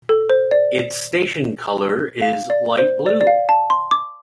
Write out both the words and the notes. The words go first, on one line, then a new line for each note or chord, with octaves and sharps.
Its station colour is light blue.
A4
C5
D5
F5
D5
C5
D5
D5
F5
A5
C6
D6